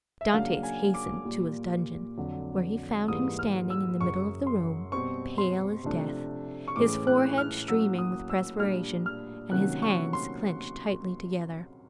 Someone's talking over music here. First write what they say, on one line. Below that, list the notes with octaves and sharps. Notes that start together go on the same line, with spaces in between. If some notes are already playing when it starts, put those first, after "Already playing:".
Dantes hastened to his dungeon, where he found him standing in the middle of the room, pale as death, his forehead streaming with perspiration, and his hands clinched tightly together.
E5
C#3 F#3 A#3 D4 F5
G#5
D6
A#2 G3 A#3
F2 D3 F#3
G#2 E3 G3 A#3 D#6
F6
E6
F#2 C#3 F#3 C#6
C6
B2 G3 C4 C#6
C6
C3 F3 A3 D4
C#6
A2 E3 G#3 C#4 D6
F#6
F6
A2 F#3 A#3 C#4 E6
D#6
E6
A#2 G3 A#3 D4 F6
F6
C3 D#3 F#3 A#3 C#4 F#6
C#6
C6